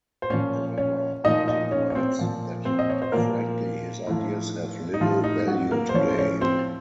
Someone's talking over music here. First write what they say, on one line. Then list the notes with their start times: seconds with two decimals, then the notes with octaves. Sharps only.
However, Martin writes that "frankly, his ideas have little value today".
0.22 C5
0.30 A#2 F3 C#4 C#5
0.78 C#4 C#5
1.24 A#2 F3 D#4 D#5
1.48 D#4 D#5
1.71 C#4 C#5
1.90 C#5
1.95 C4 C5
2.19 A#2 F3
2.65 C4 C5
2.79 D#5
2.90 C#5
3.02 C5
3.12 A#2 F3 A#3 A#4
4.07 A2 F3
4.94 D#4
5.01 A2 F3 F4
5.24 D#4
5.47 F#3 F#4
5.71 A#3 A#4
5.89 C5
5.94 A2 F3 C#4 C#5
6.09 C5
6.18 C#4 C#5
6.41 C4 C5